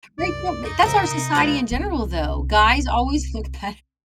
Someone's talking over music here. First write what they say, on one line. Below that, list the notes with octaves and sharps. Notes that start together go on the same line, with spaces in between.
Right, do ma that's our society in general though, guys always look better
C2 F#2 D5
F2 D#4
F2 A2 C#3 A#4 E5
C3 C4 D#4
C2 B2 E3 G#3 B3 F4
C2 C3